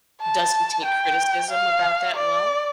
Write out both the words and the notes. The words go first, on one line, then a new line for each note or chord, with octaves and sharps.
Does he take criticism about that well?
A5
G5
F5
D5